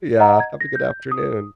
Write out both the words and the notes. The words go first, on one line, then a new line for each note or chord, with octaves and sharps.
Yeah, have a good afternoon.
D#5 F#5 A#5
G#6
A#6
G6
D#6